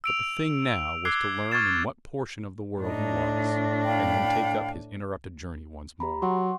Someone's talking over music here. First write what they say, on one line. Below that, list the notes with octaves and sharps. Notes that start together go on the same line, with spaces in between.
But the thing now was to learn in what portion of the world he was, and then take up his interrupted journey once more.
E6 D7 F7
D6 E6 F#6 G#6 C7 G7
C#6 F6 G#6 A6 E7
A2 D4 D#4
F5 G5 B5
G4 A#5 B5
F#3 F#5 C6 C#6